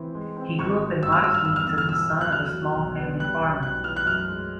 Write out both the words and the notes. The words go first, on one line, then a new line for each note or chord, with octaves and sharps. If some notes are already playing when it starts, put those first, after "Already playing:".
He grew up in modest means as the son of a small family farmer.
Already playing: E3 C4
G#3
C4
G#1 C#6
F#3
G2 E6
F6
G2 E6
F6
E2 E6
F6
E2 E6
F6
E1 E6
E2
F#6
F#3 F6
F#3
B1
B3
G3 F#6
B1
B1 F#6
E3 F6
F#6
F#2 F6
G#3